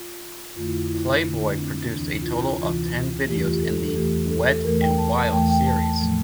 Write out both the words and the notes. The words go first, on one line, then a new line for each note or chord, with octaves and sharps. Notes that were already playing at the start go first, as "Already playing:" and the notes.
"Playboy" produced a total of ten videos in the "Wet and Wild" series.
Already playing: F4
F2 D3 A3 F4
E4
F4
E4
F2 D3 A3 D4
D4
C4
D2 C3 E3 D4
F4
E4
D2 C3 E3 F4
E2 E3 A3 G4
F4
G4
A4
A4
E2 E3 A3 G4
A4
A4
E2 E3 A3 A#4
G5
A5
A5
A5
E2 E3 A3 G5
G5
A5
A5
A2 F3 A3